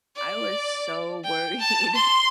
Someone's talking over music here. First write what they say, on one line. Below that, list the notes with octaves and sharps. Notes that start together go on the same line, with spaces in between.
I was so worried,
D5
G5
A5
C6